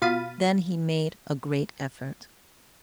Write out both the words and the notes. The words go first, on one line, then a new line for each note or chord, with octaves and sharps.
Then he made a great effort.
B2 F4 F5 B5 A6 D#7